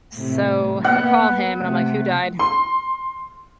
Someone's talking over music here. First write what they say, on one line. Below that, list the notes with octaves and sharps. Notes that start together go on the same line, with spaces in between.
So I call him and I'm like, "Who died?"
A2 C3
A#3 B3 F#5
C3 A3
C6